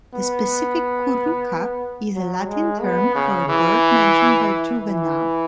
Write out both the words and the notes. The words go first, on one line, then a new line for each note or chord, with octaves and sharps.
The specific "curruca" is a Latin term for a bird mentioned by Juvenal.
B3
F#3
G#3
B3
C#3
E3
E3